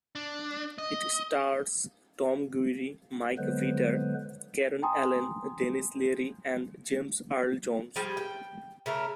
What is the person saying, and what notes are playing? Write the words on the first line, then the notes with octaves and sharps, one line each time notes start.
It stars Tom Guiry, Mike Vitar, Karen Allen, Denis Leary and James Earl Jones.
D4
D#5
D3 F#3 G#3 B3 B4 C5
G5 G#5 A#5 C6 D#6
F3 G3 G#4 G5
G5
C#3 A3 A#4